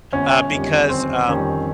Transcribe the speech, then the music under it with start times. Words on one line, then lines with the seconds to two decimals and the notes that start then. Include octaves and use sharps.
uh, because, um
0.13 G1 C#4
0.51 F2 D#3 G3
0.89 G1 C4
1.28 F2 D#3 G3 C#4